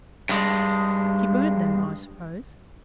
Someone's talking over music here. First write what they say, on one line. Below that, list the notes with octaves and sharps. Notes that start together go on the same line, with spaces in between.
She burnt them, I suppose.
G2 G#3